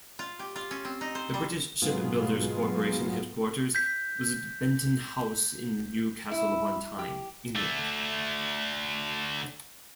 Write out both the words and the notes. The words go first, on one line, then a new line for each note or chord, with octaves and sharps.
The British Shipbuilders Corporation headquarters was at Benton House in Newcastle upon Tyne, England.
F4
G4
F4
C#4
C4
D#4
C5
G3
G#2 B2 F#3 B3 F4 G#4
G6 B6
E4
G4
D3 A3